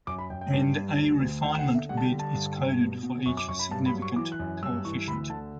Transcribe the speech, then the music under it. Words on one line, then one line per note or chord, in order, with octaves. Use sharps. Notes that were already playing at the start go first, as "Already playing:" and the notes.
And A refinement bit is coded for each significant coefficient.
F#2 D6
B5
F#2 G5
G5
G2
G3
D2
D2
D3 G5
G5
F#5
D3
E5
G3 F#5
A5
G5
D3
A5
G2
G2
B2
B2
F#2 C#6
D6
F#2 C#6
B5
G2 A5
B5
F#3
C#6
E3 D6
F#6
F#2
G2 E6
E3 C#6
D2 B5
D3 A5